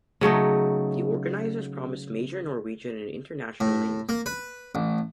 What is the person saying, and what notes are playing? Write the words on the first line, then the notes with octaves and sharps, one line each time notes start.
The organizers promise major Norwegian and International names.
C#3 F#3 A3 D#4
A2
A#3
B4
A1